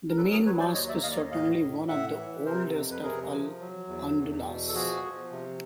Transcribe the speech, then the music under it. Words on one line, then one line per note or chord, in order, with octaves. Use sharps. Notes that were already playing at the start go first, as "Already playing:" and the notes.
The main mosque is certainly one of the oldest of Al-Andalus.
A#4
F#3 A4 B4
G#4 A#4
F#3 B4 C#5
C5 D5
D#2 C#5 D#5
D5 E5
D#2 D#5 F5
D5
C#5 D#5
A2 D#5 F5
A2
A2 E5 F#5
E3
C3 A#4 C5
F2
B4
C3 G#4 A#4
F3
F#3
E2
E2
B2
A4
F3 F#4 G#4
F3
C3